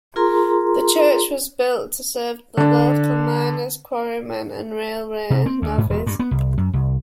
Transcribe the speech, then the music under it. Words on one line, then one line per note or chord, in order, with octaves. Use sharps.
The church was built to serve the local miners, quarrymen and railway navvies.
F4 G#4 A#4 A#5 C6
D3 D4
C3
C4
D2
G#2
E1
G2
B3
C2
F#2
C2